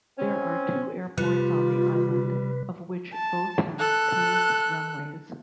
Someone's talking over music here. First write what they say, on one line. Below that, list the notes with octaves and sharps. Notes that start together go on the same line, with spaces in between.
There are two airports on the island, of which both have paved runways.
C4 C#4
C3 G3 F4 B4
A5
A4 F#6